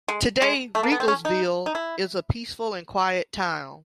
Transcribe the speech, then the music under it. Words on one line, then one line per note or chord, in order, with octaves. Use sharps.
Today, Riegelsville is a peaceful and quiet town.
G#3
G#3
A3
A#3
B3
C4
C#4
D#4
D#4
E4